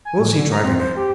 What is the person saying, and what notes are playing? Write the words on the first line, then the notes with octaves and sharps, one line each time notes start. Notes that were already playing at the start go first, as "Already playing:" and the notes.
What was he driving at?
G#5
A2
D3
A#5
C4
C5
G4